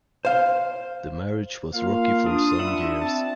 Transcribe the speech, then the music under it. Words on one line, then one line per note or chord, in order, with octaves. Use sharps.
The marriage was rocky for some years.
C5 F5
A#3 F4 F5
D4 D#6
D4 E5 F#5 B5
C4 A5